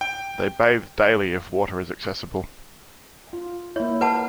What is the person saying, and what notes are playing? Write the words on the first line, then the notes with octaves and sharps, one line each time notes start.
They bathe daily if water is accessible.
G5
F4
A#3 E4 C#5
A#4 B4 F#5 A5